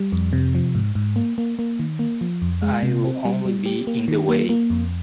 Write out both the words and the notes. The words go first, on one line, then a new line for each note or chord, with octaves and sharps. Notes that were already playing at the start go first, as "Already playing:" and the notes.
I'll only be in the way.
Already playing: G3
F2
C3
F3
G#2
G#2
A#3
A#3
A#3
D#3
A#3
F3
F2
G#3
C3
C4
G3
G3
G4
A#3
D#3
A#3
A#3
F2